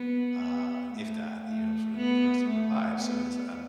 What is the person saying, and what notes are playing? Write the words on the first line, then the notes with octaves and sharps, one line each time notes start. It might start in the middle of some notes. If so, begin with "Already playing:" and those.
uh, if that, you know, for the rest of our lives. So is, uh,
Already playing: B3
B3
A3
A3
B3
A3
B3